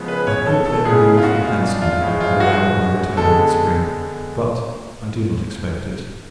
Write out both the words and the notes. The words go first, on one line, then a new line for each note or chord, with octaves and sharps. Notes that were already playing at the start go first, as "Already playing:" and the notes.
I hope they will do the thing, handsomely, and allow of my return in the spring; but, I do not expect it.
Already playing: C#3 F3 G#3 B3
B4
C#5
A4
A4
C#3 G#3 B3 G#4
F4
F#4
F4
D4
F4
A2 F3 G#3
F4
F#4
D3 G#3 B3 A4